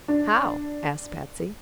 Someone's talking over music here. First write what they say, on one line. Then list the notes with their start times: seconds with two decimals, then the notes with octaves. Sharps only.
"How?" asked Patsy.
0.08 D4